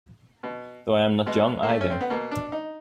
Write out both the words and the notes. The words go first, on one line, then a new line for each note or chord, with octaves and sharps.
Though I am not young, either.
B2
B2 G#3
A#3
A3
C#4
C4
B3
B2 A#3
D4
D#4